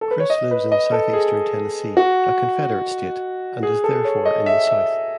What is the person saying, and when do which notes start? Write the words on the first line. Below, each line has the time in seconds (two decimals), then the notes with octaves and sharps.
Chris lives in southeastern Tennessee, a Confederate state, and is therefore in the South.
0.01 A4
0.11 B4
0.20 C#5
0.30 D#5
0.51 B4
0.72 D#5
0.92 A4
1.13 G#4
1.97 F#4
3.63 G#4
3.84 A4
4.05 C#5
4.25 D#5
4.46 E5
4.67 E5